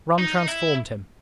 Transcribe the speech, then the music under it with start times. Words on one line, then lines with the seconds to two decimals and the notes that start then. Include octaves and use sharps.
Rum transformed him.
0.18 D#4
0.48 E4